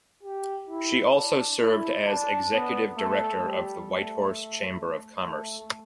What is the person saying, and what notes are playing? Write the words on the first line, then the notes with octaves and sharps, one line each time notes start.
She also served as executive director of the Whitehorse Chamber of Commerce.
G4
E4
D4
E4
D4
B3
A3
G3
A3
A3